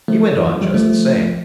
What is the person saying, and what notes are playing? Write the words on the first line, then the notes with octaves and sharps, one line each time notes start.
He went on just the same.
F3 A3
E3
F3
G3
F3 A3